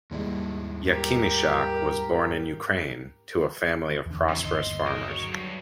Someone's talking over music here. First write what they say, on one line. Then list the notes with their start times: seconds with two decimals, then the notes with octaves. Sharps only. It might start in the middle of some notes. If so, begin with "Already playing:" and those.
Yakimischak was born in Ukraine, to a family of prosperous farmers.
0.11 D#2 G#2 G3 G#3 E4
0.90 G4 A#4
4.06 E2 D3
4.29 C3 E3
4.45 G1 D#2 D#3 D#5 C6
4.86 D#4 G#4 A#4
5.10 F#2 F#3 C#5
5.32 G2